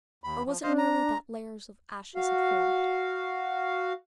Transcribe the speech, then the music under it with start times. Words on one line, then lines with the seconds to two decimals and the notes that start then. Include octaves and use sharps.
Or was it merely that layers of ashes had formed?
0.24 D#2 B5
0.47 F3
0.63 D4 C5 D#5 F5
0.78 A#5
2.15 F#4 F5